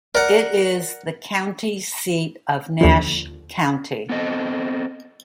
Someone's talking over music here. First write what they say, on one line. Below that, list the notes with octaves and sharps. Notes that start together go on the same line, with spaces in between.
It is the county seat of Nash County.
A#4 D5 F#5
D#2 D3 F3
B3 C4 A4 D#5